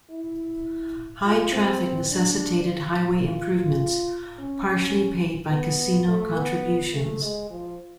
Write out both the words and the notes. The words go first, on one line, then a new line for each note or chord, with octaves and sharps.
High traffic necessitated highway improvements, partially paid by casino contributions.
E4
F4
C4
D4
F4
F4
F4
C#4
C#4
B3
A3
B3
A3
G#3
F3